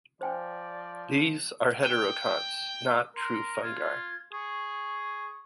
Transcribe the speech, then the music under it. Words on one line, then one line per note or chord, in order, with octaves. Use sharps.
These are heterokonts, not true fungi.
F3 C5 D5 G5 G#5
G5
A#4 C6
F4 G#6
G#4 C#6